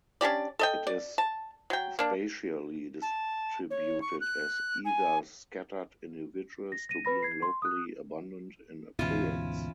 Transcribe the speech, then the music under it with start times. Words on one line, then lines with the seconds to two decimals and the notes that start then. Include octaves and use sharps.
It is spatially distributed as either scattered individuals to being locally abundant in occurrence.
0.21 C#4 D4 G4 D5
0.59 A4 D#5 G5
0.87 D5
1.18 A5
1.70 F#3 G5
1.99 A#3 D4
3.02 A5
3.70 C#5
4.01 C#6
4.20 F#6
4.85 G#5
6.72 A#6
6.89 A#6 D#7
7.05 B4 B5 A#6
7.23 G#6 C7
7.42 C6
7.62 D#6 F#6
8.99 D2 G#2 B2 E3 C#4 F4